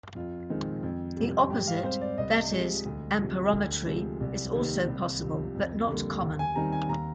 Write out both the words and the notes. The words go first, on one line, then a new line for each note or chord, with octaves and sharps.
The opposite, that is, amperometry, is also possible but not common.
F2 F4
D#3 G#3 C4
F2
C3 G3
G#2 G4
F5
G3 C4 C5
D5
C2 D#5
C3 F3 G#3
D2
C3 F3
D2
C3 F3 G#3
C2
C3 D#3 A#3
C2
C3 F3
F2
D3 G3 A#3
D#2
G#5
D#3 G3 C4 A#5
G#5
D#2 A#5